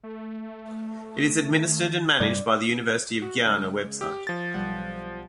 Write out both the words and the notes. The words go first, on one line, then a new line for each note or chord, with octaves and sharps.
It is administered and managed by the University of Guyana website.
A3
D#3
G2 C3 G3 D5
F#4
C#3 G#3
G4
F3 A6
B1 G3 F#5